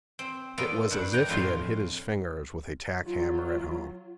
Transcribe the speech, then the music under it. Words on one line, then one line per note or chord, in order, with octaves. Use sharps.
It was as if he had hit his fingers with a tack hammer at home.
C4
A#3 B3 F4 A4 D5
G2 D4 F#5
F#5 G5 A#5
F2 A2 F4 F5 C6
F#3 F4